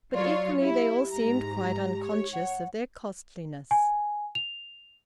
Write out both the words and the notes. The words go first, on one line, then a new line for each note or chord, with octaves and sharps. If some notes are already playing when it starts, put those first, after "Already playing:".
But equally, they all seemed quite unconscious of their costliness.
F#3 F4 C#5 D5
E4 G4
G#2 A#5
G4
C#5
F#5
G#5
F7